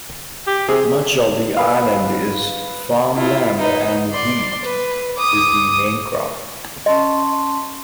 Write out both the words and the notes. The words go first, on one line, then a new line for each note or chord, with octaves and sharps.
Much of the island is farmland, and wheat is the main crop.
G4
C3 G#4
B4 F5
E4 F4
D#4 B4
D5 C6
B4
D6 D#6
C#4 D#5 A5 C6